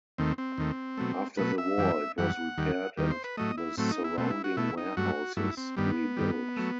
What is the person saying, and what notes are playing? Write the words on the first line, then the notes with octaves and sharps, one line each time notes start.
After the war, it was repaired and the surrounding warehouses rebuilt.
D#2 D#3 A3 C4
C4
D#2 D#3 A3
B2 F#3 A3
B2 F#3 A3 B4
E5
F#2 E3 G3
F#2 E3 G3 F#5
D#2 D#3 G3
D#2 D#3 G3
C5
B4
A2 F#3 A3 D#5
E4
A2 F#3 A3 C4
D#4
E4
B2 A3 C4
E4
F#4
B2 A3 E4
D#4
G2 F#3 A3 F#4
G2 F#3 A3 E4
C4
G2 D#3 G3 B3
G2 D#3 G3
F#3 A3